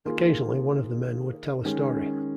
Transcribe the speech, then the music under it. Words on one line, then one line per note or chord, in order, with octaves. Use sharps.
Occasionally, one of the men would tell a story.
D#3 A#3 F4 G#4
D#3 G#3 C#4 G#4